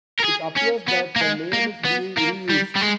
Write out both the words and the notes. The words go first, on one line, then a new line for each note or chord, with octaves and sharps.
It appears that the name is being re-used.
A#4
G#4
C#4
B3
A#3
G#3
A#3
B3
A#3
G3
G3
G#3